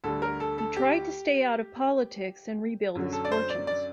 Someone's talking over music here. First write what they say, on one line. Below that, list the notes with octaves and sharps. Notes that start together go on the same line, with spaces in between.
He tried to stay out of politics and rebuild his fortunes.
D2 D3 G3 A4
A#4
A4
A4
G4
F#2 D3 F#3
A4
D5
C5
D5
D5